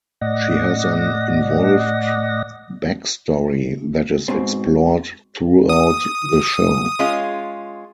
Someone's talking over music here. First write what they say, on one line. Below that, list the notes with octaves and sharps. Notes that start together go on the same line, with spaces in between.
She has an involved back story that is explored throughout the show.
A2 D5 D#5 F#5 A#6
G#2 B2 C4
D#6
G#3 C#4 F4